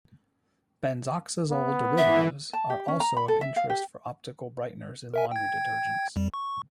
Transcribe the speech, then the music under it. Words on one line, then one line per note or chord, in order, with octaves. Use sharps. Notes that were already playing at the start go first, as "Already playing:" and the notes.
Benzoxazole derivatives are also of interest for optical brighteners in laundry detergents.
B3
E3 E5
A5
G4
C#4
A#5
B5
A4
E5
F5
G4
A#4 E5 G#5
G5 G#6
F2 G3
C#6